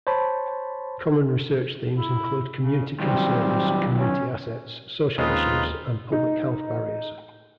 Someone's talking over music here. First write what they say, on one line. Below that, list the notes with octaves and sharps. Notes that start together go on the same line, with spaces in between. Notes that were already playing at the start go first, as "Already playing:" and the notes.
Common research themes include community concerns, community assets, social issues, and public health barriers.
C5 C#5 A5 B5
E4
C#3
D#3 F#3 G3 C4
C#4
D#2 C#3 G#3 C4 D#4 F4 B4
D#4